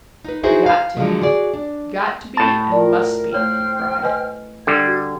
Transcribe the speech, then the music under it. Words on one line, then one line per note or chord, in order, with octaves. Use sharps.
"Got to be--got to be, and must be!" he cried.
D#4 B4
D#4 E4 F#4 G#4 B4 C5
F5
A#2 D3 F3 F#3 G#3 A3
F#4 G#4 D5
D4
A2 A5
F4 A#4 D5
A3 C5 C#5 G5 F6
B4 D#5 G#5
D3 G3 G#6
F#4